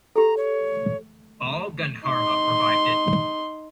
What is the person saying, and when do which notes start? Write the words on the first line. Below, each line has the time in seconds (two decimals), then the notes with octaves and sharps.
Bal Gandharva revived it.
0.16 G4 A4 A#5
0.37 C#5
2.06 D#4 C6